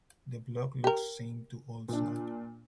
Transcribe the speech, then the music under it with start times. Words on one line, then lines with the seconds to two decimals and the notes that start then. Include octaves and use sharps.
The block looks same to Old Slab.
0.84 G4 A#4
1.88 A#2 D4